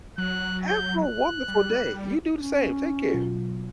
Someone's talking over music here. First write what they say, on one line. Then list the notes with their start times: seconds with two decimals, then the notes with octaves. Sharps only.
Have a wonderful day. You do the same. Take care.
0.18 F#3 F#6
0.67 G6
1.04 F#6
1.48 G3
2.39 C#4
3.12 B2 F#3 F4